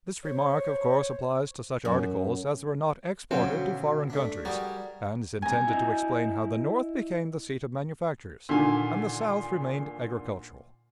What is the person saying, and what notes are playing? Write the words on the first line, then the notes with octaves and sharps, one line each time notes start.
This remark, of course, applies to such articles as were not exported to foreign countries, and is intended to explain how the North became the seat of manufactures, and the South remained agricultural.
C5 C#5
F#2
D2 B2 F#3 C4 C#4 F5
A3 D4
G3 F#4 G#4 A#4
G2 C3 G#5 A#5
E4 D#5
A#2 D3 D#3 G#5